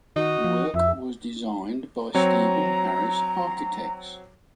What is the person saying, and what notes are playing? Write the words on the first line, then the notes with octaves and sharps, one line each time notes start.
The work was designed by Steven Harris Architects.
D#3 D#4 F#4
F3
F2 E5
F#3 C4 C#5 A#5